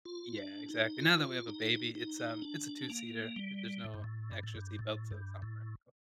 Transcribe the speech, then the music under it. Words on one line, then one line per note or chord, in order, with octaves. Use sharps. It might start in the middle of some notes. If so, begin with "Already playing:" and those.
Yeah. Exactly. Now that we have a baby, it's um, it's a two-seater. There's no extra seat belt, so it's not practical.
F4
D4
D#4
F4
D#4
D#4
D4
A#3
G3
A2
G2
A2
G2
A2
G2
A2
G2
A2